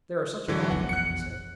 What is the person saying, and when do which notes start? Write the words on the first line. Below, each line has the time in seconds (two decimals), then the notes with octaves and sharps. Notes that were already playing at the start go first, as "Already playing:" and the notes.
"There are such a lot of them," he said.
0.48 G#2 D3 E3 F#3
0.71 F1 A#1 E2 F#5
0.89 F#6 C#7